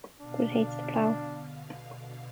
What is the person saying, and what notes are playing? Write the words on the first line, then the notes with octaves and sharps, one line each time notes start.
But it hates the plow!
B2 D3 D4 F5